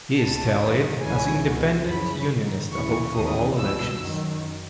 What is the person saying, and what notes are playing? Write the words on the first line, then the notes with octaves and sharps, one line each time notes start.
He is tallied as Independent Unionist above for all elections.
C#2 B2 A5
F#2 D#3
C#2 C#3 E3 G#5
C#2 B2
F#2 C#3 E3 B5
G#2 D#3
D#2 C#3 E3 C#6
D#2 C#3 E3 D#6
C#2 B2 E6
F#2 D#3